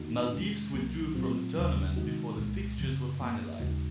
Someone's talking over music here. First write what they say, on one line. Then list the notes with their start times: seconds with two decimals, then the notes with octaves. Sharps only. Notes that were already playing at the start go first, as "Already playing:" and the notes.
Maldives withdrew from the tournament before the fixtures were finalised.
Already playing: F2 D#3 A#3 D#4 F#4
0.32 F2 C3 D#3 G#3 C#4
0.73 C2 C3 F#3 A#3
1.14 A#2 F#3 C4 F4
1.55 D#2 C#3 F#3
1.96 C3 D#3 G#3 D#4 F#4
2.37 C2 A#2 G#3
2.78 F#2 C#3 F3
3.19 F#2 F3 A#3
3.59 D#2 C#3 G#3 D#4 F#4